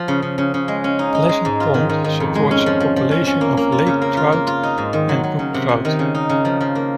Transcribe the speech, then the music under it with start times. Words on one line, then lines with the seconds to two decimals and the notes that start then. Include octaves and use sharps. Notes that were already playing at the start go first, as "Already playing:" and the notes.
Pleasant Pond supports a population of lake trout and brook trout.
Already playing: F3 F4
0.08 C#3
0.22 C#3
0.38 C#3
0.54 C#3
0.68 G#3
0.84 C#4
0.99 D#4
1.15 D#4
1.29 G#3
1.45 G#2
1.60 F4
1.74 D#3
1.89 D#3
2.04 D#3
2.20 F2
2.35 G#3
2.51 C#4
2.66 F3
2.80 F3
2.96 F3
3.11 C#4
3.27 C#4
3.41 A#3
3.57 A#3
3.72 F4
3.86 C#3
4.02 A#3
4.17 F4
4.32 A#3
4.47 F4
4.63 D#4
4.78 G#2
4.93 D#3
5.09 F#3
5.24 F#3
5.39 C#3
5.54 C3
5.69 C3
5.85 D#3
5.99 C#3
6.15 D#4
6.29 C#3
6.45 F3
6.61 F3
6.75 A#3